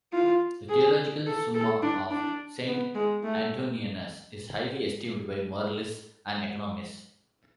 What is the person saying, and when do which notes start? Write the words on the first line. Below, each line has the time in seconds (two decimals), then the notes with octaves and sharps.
The theological summa of Saint Antoninus is highly esteemed by moralists and economists.
0.13 F4
0.69 G#4
1.26 A4
1.54 A4
1.82 D4
2.10 D4
2.67 B3
2.95 G#3
3.23 A3